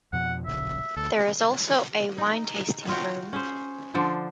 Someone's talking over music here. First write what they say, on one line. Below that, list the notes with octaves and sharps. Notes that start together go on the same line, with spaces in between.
There is also a wine-tasting room.
F2 B2 F3 F#5
D1 A#1 C#3 E5
D2 A4
D#4
F4 F#4 G5
C#4 G#4 C5
D3 F3 D4 C5